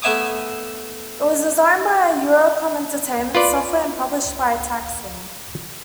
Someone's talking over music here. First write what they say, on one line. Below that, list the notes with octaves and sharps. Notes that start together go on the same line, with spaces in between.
It was designed by Eurocom Entertainment Software and published by Taxan.
A3 B3 E5 G#5 D6 D#6
F4 B4 D5